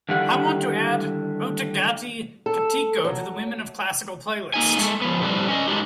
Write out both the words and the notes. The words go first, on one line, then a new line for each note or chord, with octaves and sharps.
I want to add Ottagathai Kattiko to the women of classical playlist.
D3 D#3 G3 E4 G4 F#5
A4
F#3
A#3 D#4 G#5
G#3 A3
F3 B3
A2 C3 G3 B4
C#4 D#5
F#3 G#3 D4 D#4 G4